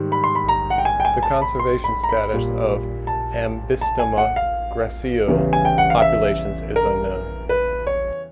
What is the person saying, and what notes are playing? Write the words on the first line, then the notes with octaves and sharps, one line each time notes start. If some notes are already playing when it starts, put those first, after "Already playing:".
The conservation status of "Ambystoma gracile" populations is unknown.
Already playing: G#2 D#3 G3
B5
C6
B5
A#5
F#5
G5
G#5
G5
G#5
A5
B5
C6
B5
A#5
B5
A#2 G3
A5
A5
G#5
F#5
F5
E2 C#3 E3 G3
G#5
G5
F#5
F5
E5
A#4
B4
C#5